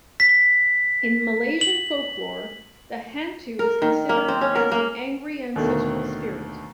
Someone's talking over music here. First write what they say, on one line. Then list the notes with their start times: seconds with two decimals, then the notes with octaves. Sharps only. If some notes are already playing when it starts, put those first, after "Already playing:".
In Malaysian folklore, the hantu is considered as an angry ancestral spirit.
0.20 B6
1.61 F#7
3.59 A#4
3.82 D#3
4.09 A#3
4.28 C4
4.41 C#4
4.55 A#4
4.72 A#3
5.56 D#2 B2 D3 D#3 A3